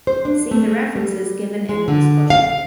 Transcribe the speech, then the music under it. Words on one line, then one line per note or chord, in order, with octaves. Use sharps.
See the references given in the discussion.
C5
D4
A3
G3
G#3
D3
F5